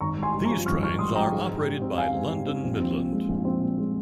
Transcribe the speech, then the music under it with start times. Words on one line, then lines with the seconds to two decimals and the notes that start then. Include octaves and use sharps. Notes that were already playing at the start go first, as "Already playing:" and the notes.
These trains are operated by London Midland.
0.01 G#1 A#5 C#6
0.17 G#3
0.23 G#5 C6
0.34 G2
0.45 A#5 C#6
0.51 F3
0.66 G#1 C#6 F6
0.83 G#3 C#6 F6
0.99 G2 C6 D#6
1.15 F3 G5 A#5
1.32 G#2
1.49 G#2
1.65 G3
1.82 C4
1.98 G#2 F5 G#5
2.15 G#2
2.31 G3
2.46 C4
2.64 A#1
2.80 C4
2.96 A#2
3.12 G#3
3.29 A#1
3.45 C4
3.61 A#2
3.78 G#3